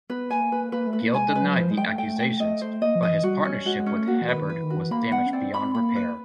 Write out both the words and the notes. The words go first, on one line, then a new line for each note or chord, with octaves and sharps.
Gill denied the accusations, but his partnership with Hebbard was damaged beyond repair.
B3 B4
A#3 G#5
B4
A#3 B4
A3
B4
A#3
G#3 G#5
G#3
B4
F#3
F3 C5
G#3
G5
A3
G5
G5
A3 D#5
C5
A#3 D#5
F3
D#5
E3
G3 F#4
C#4
G#3 F#4
G#3
C#4
A3
A#3 F#4
E3
B4
D#3
E3 B4
D#3
F#4
E3
A#3 B5
B3 F#5
C#4
C4 D5
B5
A#3 B5
B4